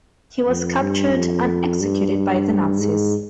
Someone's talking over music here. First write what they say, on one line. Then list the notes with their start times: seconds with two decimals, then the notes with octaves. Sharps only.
He was captured and executed by the Nazis.
0.48 F2
0.80 G2
1.14 F2
1.80 G2
2.80 G#2